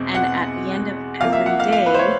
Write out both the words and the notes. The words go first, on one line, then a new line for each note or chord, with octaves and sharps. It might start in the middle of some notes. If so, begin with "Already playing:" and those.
and at the end of every day,
Already playing: E2 B2 G#3 C4
F#5
C2 C3 F3 A#3 F5
E5
F#5
F5
F5
B4
C5
C#5